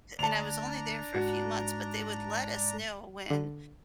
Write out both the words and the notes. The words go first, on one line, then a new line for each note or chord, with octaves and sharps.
and I was only there for a few months, but they would let us know when
D2 D4 A5 A#5 F7
G#2 F#4
D3